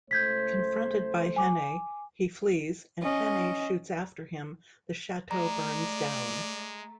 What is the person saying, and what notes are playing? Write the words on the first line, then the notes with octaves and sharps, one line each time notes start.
Confronted by Hannay, he flees, and Hannay shoots after him; the chateau burns down.
C#2 A3 C5 G6 G#6 B6
G#5 D6
C#4 D#5
G#3 A3 D5 A#5